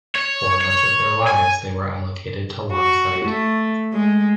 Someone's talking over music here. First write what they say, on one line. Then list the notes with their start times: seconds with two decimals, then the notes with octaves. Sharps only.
For much of their lives they were allocated to Longsight.
0.16 C#5
0.61 C#5
1.27 G#5
2.73 F#4
3.25 A3
3.93 G#3